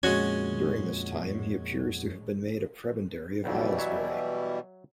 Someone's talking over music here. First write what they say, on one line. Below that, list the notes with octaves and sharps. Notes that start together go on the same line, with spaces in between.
During this time he appears to have been made a Prebendary of Aylesbury.
F2 A#2 G#3 C#4 F#4 G#6
B1 F2 B2 E3 F#3 G3
F#3 C#5 E5